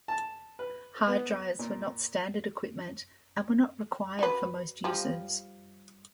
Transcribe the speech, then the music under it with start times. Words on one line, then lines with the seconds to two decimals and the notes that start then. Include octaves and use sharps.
Hard drives were not standard equipment, and were not required for most uses.
0.08 A5
0.59 B4
1.07 B3
1.59 A#2
4.19 F#4 B4
4.84 F3 G3